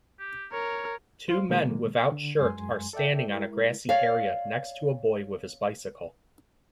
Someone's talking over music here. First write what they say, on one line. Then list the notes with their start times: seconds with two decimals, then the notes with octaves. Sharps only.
Two men without shirt are standing on a grassy area next to a boy with his bicycle.
0.19 G4
0.52 A#4 C#5
1.28 C5 F5 C6
1.49 B2 D#3 F#3 G#3 A#3
2.12 D3
2.39 F#2 G#3 G#5 C6
2.93 A4 D5 E5 G5
3.28 G#3 E4 A#4
3.89 C#5 D5 F5